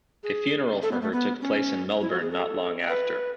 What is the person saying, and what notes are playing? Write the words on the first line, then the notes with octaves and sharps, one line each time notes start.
A funeral for her took place in Melbourne not long after.
G#4
A4
B3
A3
B3
C#4
E4
F#4
G#4
A4
B4